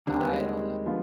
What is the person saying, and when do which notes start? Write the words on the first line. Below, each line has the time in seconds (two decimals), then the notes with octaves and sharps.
I don't know.
0.07 D#2 D3 D#3 G3 C4
0.20 B3
0.33 G#3
0.85 D3 F3 B3 F4